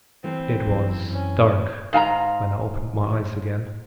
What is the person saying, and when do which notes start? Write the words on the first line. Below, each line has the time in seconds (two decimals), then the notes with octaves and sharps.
It was dark when I opened my eyes again.
0.24 E3 A3 C4
0.66 F#2 D3
1.12 C#4
1.93 G#2 F5 G#5 A#5